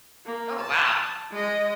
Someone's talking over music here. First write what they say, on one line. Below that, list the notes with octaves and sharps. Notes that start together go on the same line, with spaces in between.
Oh, wow.
A#3
A5
G#3 D#5